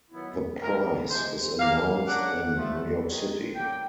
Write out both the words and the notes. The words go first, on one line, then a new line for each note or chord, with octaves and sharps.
The prize is announced in New York City.
D#3 F#3 B3 E4
G2 E3 G3 C4 A#4
C3 F3 G#3 C5
A#2 F3 A#3 F5
C#3 F3 A#3 D4 F#5
G2 D3 F3 A3
F#2 D#3 G#3
D3 F#3 A#3 G5